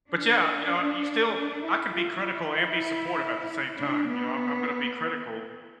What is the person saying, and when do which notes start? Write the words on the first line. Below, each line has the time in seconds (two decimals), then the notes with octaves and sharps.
But, yeah, you know, you still I can be critical and be supportive at the same time, you know? I'm I'm gonna be critical,
0.11 D4
1.33 D4
1.63 E4
1.94 F4
2.24 E4
3.78 D4
4.08 B3